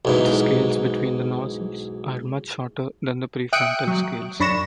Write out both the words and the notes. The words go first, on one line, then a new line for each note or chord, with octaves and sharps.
The scales between the nostrils are much shorter than the prefrontal scales.
B1 G#2 E3
E5 G5 D#6 F#6 C#7 D7
F#3
F#2 D4 B5 C#6 A#6 E7